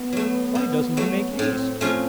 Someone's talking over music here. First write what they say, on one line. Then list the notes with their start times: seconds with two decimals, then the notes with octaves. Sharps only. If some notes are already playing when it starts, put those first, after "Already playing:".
'Why doesn't he make haste!'
Already playing: B3
0.13 F#3 A3
0.55 B2
0.97 F#3 A3
1.30 C#4
1.39 A2 C4
1.81 F3 A3 C4 C#4 F4